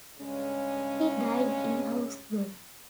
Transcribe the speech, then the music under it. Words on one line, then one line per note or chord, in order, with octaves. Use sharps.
He died in Augsburg.
G2 C#3 G#3 C#4